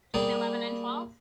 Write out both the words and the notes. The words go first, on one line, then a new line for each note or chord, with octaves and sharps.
Between eleven and twelve?
G3 A#3 G#4